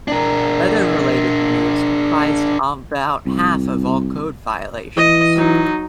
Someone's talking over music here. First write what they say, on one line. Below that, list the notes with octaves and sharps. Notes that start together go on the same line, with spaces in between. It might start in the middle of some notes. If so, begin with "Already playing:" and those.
Weather-related news comprised about half of all code violations.
D4 A#4
C2
E3 D#5
F#3 D#4